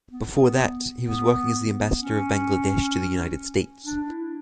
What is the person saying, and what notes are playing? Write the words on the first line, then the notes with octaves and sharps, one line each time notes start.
Before that he was working as the Ambassador of Bangladesh to the United States.
B3
B3
C#4
D4
E4